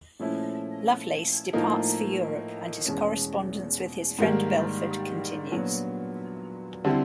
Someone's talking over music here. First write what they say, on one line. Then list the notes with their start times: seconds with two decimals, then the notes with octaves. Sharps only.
Lovelace departs for Europe and his correspondence with his friend Belford continues.
0.19 A#2 F3 A3 C#4 E4
1.53 A2 F3 A#3 D#4
2.85 E2 B2 G#3 C#4
4.18 G#2 D#3 G3 A#3
5.52 A#2 F#3 B3 D4
6.85 D3 G3 C4 E4